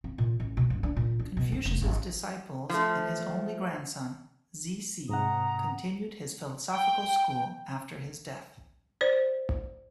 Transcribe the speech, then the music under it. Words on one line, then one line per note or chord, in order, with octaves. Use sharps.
Confucius's disciples and his only grandson, Zisi, continued his philosophical school after his death.
C4
A#2
A1
B2
G2
D4
A#2
D4
B2
G2
F1
G#1
F3 A3
G#2 C3 F#5 A#5 D#6
G5
C5 D5